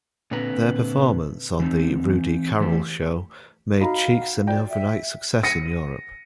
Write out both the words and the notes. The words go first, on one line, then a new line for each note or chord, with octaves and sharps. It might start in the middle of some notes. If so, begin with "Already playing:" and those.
Their performance on "The Rudi Carrell Show" made Cheeks an overnight success in Europe.
A#2 D3 C4 B4 A#5
E3 C4 D#4
E3 A3 G4 C5
D#4 F#4 F5 A#5 B5
F#5
F4 D5 G5
E5
A#6 C#7 D#7